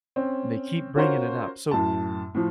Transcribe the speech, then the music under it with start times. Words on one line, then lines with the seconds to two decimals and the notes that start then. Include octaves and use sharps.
and they keep bringing it up. So,
0.16 C4 C#4
0.96 C#4 F4 F#4 A#4 C5 C#5
1.71 F#2 A2 A5
2.34 A2 F3